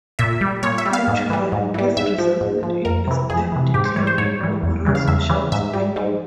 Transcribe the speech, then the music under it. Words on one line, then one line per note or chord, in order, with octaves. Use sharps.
Naturally, this resulted in a steep decline in overall social spending.
A#2 E5
G3
A#2 C#5
E5
G3
F5
G#2
E3 G3
G#2
E3 G3
G#2 E5
F3
G#2
F3
F2 A#4
C3 E3
F2 G#4
C3 E3
G#2 G4
C5
E3 G3 C#5
C5
G#2 C#5
E3 G3
E2
C#3 E3 G3
F5
E2 E5
C#3 E3 G3
G#2 E5
G3
G#2